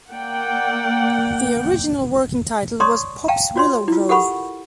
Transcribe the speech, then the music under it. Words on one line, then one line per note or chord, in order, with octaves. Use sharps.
The original working title was "Pop's Willow Grove".
A#3 D5 F#5 G5
C#5 D5 A#5 C6 C#6 D#6
F5 G5 A5 A#5
F4 F#4 C#5 D5 C6
E4 F4
G4 A4 A#4 F#5 B5 C#6